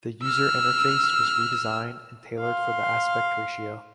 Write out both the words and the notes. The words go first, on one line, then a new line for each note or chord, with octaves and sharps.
The user interface was redesigned and tailored for the aspect ratio.
E6 F6
F5 C6